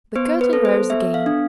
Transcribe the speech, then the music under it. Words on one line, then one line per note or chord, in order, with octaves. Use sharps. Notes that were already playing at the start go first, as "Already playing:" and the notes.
The curtain rose again.
B3 C5
B4
A4
C5
B3 E5
F5
D4